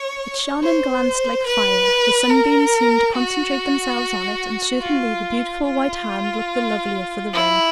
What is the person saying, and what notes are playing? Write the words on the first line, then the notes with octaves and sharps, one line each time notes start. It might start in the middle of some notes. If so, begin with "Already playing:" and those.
It shone and glanced like fire; the sunbeams seemed to concentrate themselves on it; and, certainly, the beautiful white hand looked the lovelier for the ring.
Already playing: C#5
C5
B4
A#4
F#4
F4
F4
E4